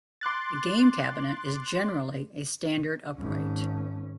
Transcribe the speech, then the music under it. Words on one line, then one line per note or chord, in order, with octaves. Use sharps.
The game cabinet is generally a standard upright.
C6 D6 F#6 A6
G#1 C#4